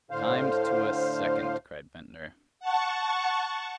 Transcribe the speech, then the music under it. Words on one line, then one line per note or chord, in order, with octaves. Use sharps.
"Timed to a second!" cried Ventnor.
A2 D3 C5 F5
F#5 A5 C#6